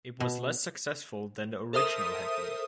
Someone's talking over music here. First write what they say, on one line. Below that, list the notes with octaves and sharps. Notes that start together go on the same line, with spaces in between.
It was less successful than the original had been.
B2
A4 A#4 C5 E5 D#6 D#7